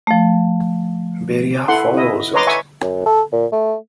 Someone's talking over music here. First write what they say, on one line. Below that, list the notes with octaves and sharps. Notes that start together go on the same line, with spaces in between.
Beri'ah follows it.
F3 A3
E4 A4 F#5 C6
E4 D#5
B4 C#5 D#5 A#5 C6 D6
E5 G#5 C#6
F#2
A4
A#2
A3